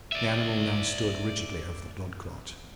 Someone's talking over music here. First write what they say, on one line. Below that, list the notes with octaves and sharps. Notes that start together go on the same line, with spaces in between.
The animal now stood rigidly over the blood clot.
D5 E5